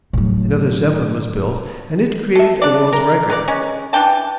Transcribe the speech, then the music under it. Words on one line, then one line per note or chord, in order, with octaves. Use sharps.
Another Zeppelin was built and it created a world's record.
A2 F#3
A4 E5
D4 D5
A#4
B3 A#4 D5
G#3 C#4
E3 D4 G5 A5